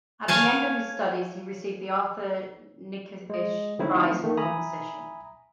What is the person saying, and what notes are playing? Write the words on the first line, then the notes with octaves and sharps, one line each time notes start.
At the end of his studies he received the Arthur Nikisch Prize for composition.
C#5 F5 G#5 A5
G#3 D#5
D3 F#3 A3 C4 D#4 E4
D#3 A3 A#3
E5 G#5 A#5 B5 D#6